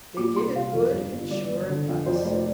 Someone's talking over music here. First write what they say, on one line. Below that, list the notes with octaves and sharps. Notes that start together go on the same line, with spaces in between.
They give it good and sure advice.
A#2 D6
C2 C6
C3 F5
F2
G2
G1
G2 D5
G1
D3
F2
F2 C5
D5
F1 C5
D5